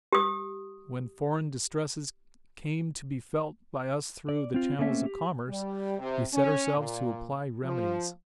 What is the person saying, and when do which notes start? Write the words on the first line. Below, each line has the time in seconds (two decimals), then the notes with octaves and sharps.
When foreign distresses came to be felt by us through the channels of commerce, we set ourselves to apply remedies.
0.13 G4 D#6
4.29 D5
4.54 C4 F4
4.79 A3 A#3 C4 C#4 E5
5.06 G4
5.49 G3
5.99 C3
6.33 C#4
6.76 A#2
7.64 F3